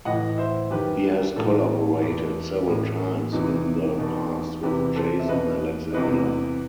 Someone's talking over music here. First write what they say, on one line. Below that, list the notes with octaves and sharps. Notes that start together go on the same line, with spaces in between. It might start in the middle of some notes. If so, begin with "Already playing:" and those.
He has collaborated several times in the past with Jason Alexander.
A2 E3 D#5 F#5
C5 E5
F#2 D#3 G4 B4
A2 E3 F#4 A4
E2 B2
A2 E3
E2 C3 E3 D#4
E2 B2 D#4 F#4
E2 C3 E3 G4 B4
A4 C5
E5
E2 B2 B4 D#5
E2 C3 E3 B4 D#5